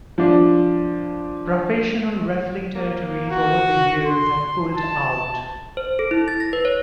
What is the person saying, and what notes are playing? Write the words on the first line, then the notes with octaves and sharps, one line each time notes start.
Professional wrestling territories over the years have pulled out.
F3 D4
A#3
F#4
C6
A5
C5
A4
E4
A6
A#6
B4
C#5